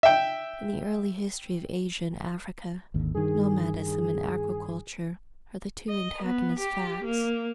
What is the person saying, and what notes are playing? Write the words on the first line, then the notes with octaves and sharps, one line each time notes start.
In the early history of Asia and Africa, Nomadism and Agriculture are the two antagonist facts.
E5 G5
G#1 D#2 D3
G2 D#3 G#4
D#5
B3
G4
A#3